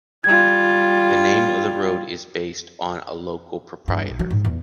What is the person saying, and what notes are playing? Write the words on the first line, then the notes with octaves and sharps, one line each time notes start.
The name of the road is based on a local proprietor.
G3 F4 G#6
G2
B1
F#3
G#2
E2